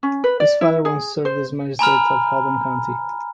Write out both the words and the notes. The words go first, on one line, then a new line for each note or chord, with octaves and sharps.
His father once served as magistrate of Hedong County.
C#4
B4
D5
E4
G#4
C5
G#5 A#5 B5 F6